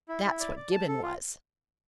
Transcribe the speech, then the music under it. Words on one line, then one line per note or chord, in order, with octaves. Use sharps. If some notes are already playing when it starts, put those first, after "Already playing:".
That's what Gibbon was.
E4
E4
D5
D5
A5
A4
F4